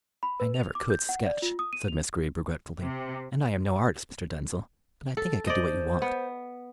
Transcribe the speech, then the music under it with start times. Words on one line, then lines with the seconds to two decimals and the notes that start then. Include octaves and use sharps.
"I never could sketch," said Miss Greeb regretfully, "and I am no artist, Mr. Denzil, but I think I can do what you want."
0.23 B5
0.40 B4
0.54 F7
0.75 D6
0.90 G6
1.09 F#5
1.26 D5
1.42 F4
1.59 D#6
1.73 D#7
1.88 F7
2.82 C3
5.17 A4
5.47 C5 D5 D#5
6.02 B3